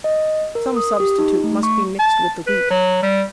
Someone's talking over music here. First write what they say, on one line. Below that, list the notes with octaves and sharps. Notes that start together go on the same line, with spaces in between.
Some substitute must be mixed with the wheat.
D#5
A#4
D#6
G4
D#4
A3
C#6
A5
B4
F#3
G3